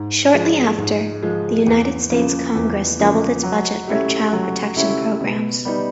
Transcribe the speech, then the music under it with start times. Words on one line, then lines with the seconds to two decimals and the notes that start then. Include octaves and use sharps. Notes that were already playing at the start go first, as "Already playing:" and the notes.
Shortly after, the United States Congress doubled its budget for child-protection programs.
Already playing: G#2
0.34 F3 G#3
0.78 G#2
1.23 F3 G#3
1.67 E2
2.10 C#3 F3 A#3
2.55 E2
2.99 C#3 F3 A#3
3.43 F#3
3.88 A3 C#4 E4 G4
4.33 F#3
4.76 A3 C#4 E4 G4
5.21 B2
5.65 G3 B3 D#4